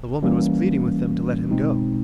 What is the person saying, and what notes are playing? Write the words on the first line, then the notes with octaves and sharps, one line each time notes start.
The woman was pleading with them to let him go.
E3 G3 A#3 C#4
B2 G#3 C4 D#4